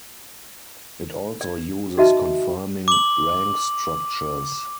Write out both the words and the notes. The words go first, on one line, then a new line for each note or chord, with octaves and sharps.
It also uses conforming rank structures.
D5
D#4 F#4 D#5 E5 A5
D6 F#7